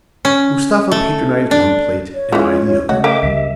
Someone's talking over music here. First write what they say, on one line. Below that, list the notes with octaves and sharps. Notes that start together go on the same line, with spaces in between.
Mustapha patronized one plate, and I the other.
C#4
A3
D4
C#5
C#3 E3 G#3 F4
C#3 G#3 A3 F#4
A#3 D#5 E5 G5 D6
C#2 C#3 G3 E5